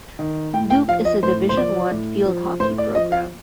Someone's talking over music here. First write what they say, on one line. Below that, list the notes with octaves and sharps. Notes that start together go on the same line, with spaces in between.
Duke is a Division One field hockey program.
D#3
A2 G5
G5
F3 F5
D#5
A2 C5
C5
F3 D5
A2
F3
A2 C5
D5
F3 D#5
F5